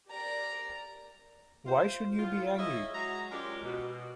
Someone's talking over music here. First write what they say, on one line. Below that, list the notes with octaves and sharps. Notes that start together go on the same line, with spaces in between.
Why should you be angry?
G4 A#4 D5 A#5
F4 C5
A2 F4
E4 G#4 C#5 D#5
F#3 G#3 F#4 G#4 A#5
G#3 C#4 F4 G4 A#4 D5
B2